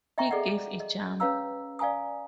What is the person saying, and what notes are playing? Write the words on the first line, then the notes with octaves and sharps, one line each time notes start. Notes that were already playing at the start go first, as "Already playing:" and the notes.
He gave a jump.
D#5 E5 G5 A#5 C#6
G#4 A4 D5 D#5 F#5
D#5
C#4 B4 C#5 F5 A#5 E6
D5 F5 G#5 A#5 D#6